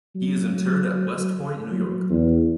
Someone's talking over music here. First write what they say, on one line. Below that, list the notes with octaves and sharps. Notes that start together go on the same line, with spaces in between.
He is interred at West Point, New York.
F#3
F#3
E2